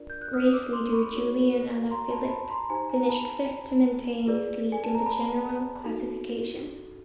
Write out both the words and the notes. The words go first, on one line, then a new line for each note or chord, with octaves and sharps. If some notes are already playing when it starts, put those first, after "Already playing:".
Race leader Julian Alaphilippe finished fifth to maintain his lead in the general classification.
Already playing: D4 F4 A#4 D5
G6
F#6
D#6 F6
D#6
D6 E6
C6 D6
B5 C#6
D#4 F#4 A4 C#5
A#5 C6
A5 B5
A5 B5
A#5 C6
D#4 G4 C5 G#5 A#5
G#5 A#5
A5 B5
F4 G#4 B4 D5
G#5
A5
A#5
A5 B5
D#4 F#4 A4